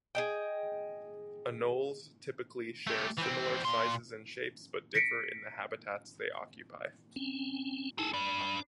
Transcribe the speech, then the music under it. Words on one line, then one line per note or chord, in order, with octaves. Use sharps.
Anoles typically share similar sizes and shapes but differ in the habitats they occupy.
G#4 D#5 G5
A3 G4
E3 C4
A#2 C6
A#6 B6 C#7 D7
C4 C#4
D#4 E4 G#4 A4
D4 B4 D5